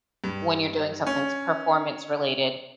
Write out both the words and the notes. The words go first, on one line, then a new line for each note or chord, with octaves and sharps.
when you're doing somethings performance-related.
G2
C#4